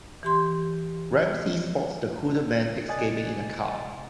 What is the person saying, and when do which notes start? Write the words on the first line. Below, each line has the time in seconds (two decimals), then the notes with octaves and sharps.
Ramsey spots the hooded man escaping in a car.
0.23 E3 G4 C6
2.88 C3 D5 D#5 G#5 F#6 A6